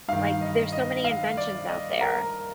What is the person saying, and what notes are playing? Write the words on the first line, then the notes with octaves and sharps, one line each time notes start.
Like, there's so many inventions out there.
G2 D#3 F5
D#5
D#5
F5
D5
D#5
A#4